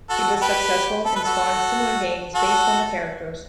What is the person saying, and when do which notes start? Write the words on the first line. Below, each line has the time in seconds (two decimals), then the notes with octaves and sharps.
It was successful and spawned similar games based on the characters.
0.09 F#4 A4
0.36 A4
0.41 G4 B4
1.05 A4
1.16 B4
1.25 F#4 A4
2.35 F#4 A4